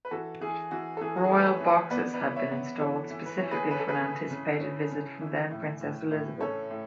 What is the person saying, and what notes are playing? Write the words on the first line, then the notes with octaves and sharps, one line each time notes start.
'Royal boxes' had been installed specifically for an anticipated visit from then-Princess Elizabeth.
B4
E3 F#4 A4
E3 G#4
E3 F#4
A4
E3 G#4
F#4
G#4
A3 A4
B4
A4 C#5
E3
B3 B4 D5
B4 D5
E3
C#5 E5
B3
E3 A4 C#5
E3
B4
E3 C#5
G#4 B4
C#4 B4
A4
G#4 B4
C#3
C#3
C#4
C#3
E3
A2
A2
A2
C#4 A4 C#5
A2